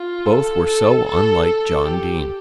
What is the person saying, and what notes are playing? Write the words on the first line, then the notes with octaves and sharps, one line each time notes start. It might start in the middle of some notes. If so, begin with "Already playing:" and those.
Both were so unlike John Dene.
Already playing: F4
A4
A4
A4
A4
G4